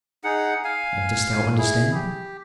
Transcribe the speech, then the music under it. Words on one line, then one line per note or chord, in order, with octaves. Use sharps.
"And dost thou understand them?"
D#4 G#4 F#5
F5 G#5
E4 G#4
G4